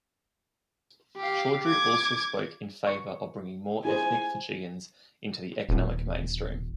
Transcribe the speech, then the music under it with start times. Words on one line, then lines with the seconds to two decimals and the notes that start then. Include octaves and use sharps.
Chaudhry also spoke in favour of bringing more ethnic Fijians into the economic mainstream.
1.17 G4 F5
1.64 D6 G#6
2.87 C#6
3.85 E4 G#4 C5 G#5
5.69 D#1